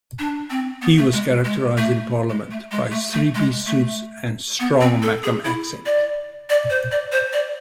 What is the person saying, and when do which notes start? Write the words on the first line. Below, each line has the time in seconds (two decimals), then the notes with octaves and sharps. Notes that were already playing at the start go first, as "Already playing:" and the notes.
He was characterised in parliament by his three-piece suits and strong 'Mackem' accent.
0.19 D4
0.50 C4
0.82 B3
0.98 A3
1.13 G#3
1.45 G#3
1.77 A3
2.29 G#3
2.51 A3
2.71 G#3
2.92 A3
3.13 A3
3.35 G#3
3.66 A3
4.60 B3
4.81 C4
5.02 A4
5.24 G#4
5.45 E4
5.86 D5
6.50 D5
6.70 C5
6.92 D5
7.12 C5
7.33 D5